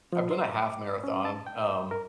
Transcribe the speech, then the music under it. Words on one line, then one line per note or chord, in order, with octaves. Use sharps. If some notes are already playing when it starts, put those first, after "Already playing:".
I've done a half marathon, um,
F3
C6
D6
C#4
A5
G5
A#4